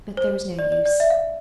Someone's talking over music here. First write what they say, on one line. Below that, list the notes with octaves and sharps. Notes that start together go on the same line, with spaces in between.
But there was no use.
C5
D5
D5
D5
E5
F5